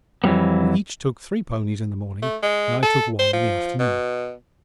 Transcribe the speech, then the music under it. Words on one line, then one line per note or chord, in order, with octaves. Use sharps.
We each took three ponies in the morning, and I took one in the afternoon.
F2 E3 F#3 G3 B3
A3
G#3
A4
C5
F3
B2